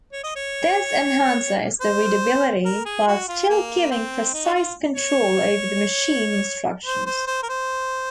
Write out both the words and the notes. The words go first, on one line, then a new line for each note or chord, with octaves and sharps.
This enhances the readability while still giving precise control over the machine instructions.
C#5
D#5
C#5
C5
A#4
G#4
F#4
F4
A#3
C4
D#4
F#4
F4
C#5
C5
C5
C5
A#4
C5